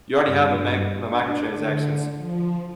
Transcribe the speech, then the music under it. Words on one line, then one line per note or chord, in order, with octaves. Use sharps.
you already have the meg the microtransactions,
G2
D4
D3
F3